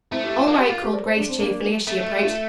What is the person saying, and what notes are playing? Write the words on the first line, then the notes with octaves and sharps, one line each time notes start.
"All right," called Grace cheerfully as she approached.
A3 C4 E4
E4 G4
F4 A4
A#3
G4
F4
G4 A#4
A#4 D5
A4 C5
D4
C4
A#3 D4
A3
D4 F4